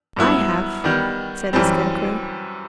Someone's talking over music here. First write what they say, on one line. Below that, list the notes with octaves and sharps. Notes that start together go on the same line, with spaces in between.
"I have," said the Scarecrow.
G2 F#3 B3 E4
D#3 G3 B3
F#2 E3 G3 C4